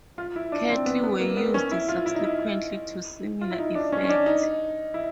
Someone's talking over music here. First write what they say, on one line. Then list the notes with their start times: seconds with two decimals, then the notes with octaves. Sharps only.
Cattle were used subsequently to similar effect.
0.18 F4
0.36 E4
0.52 D4
0.69 C4
0.86 B3
1.04 B3
1.20 A#3
1.37 B3
1.54 C#4
1.71 E4
1.88 F4
2.06 E4
2.15 D#4
2.24 E4
3.41 F4
3.51 E4
3.59 D#4
3.75 D4
3.92 C#4
4.04 C#4
4.09 D4
4.26 D#4
4.94 E4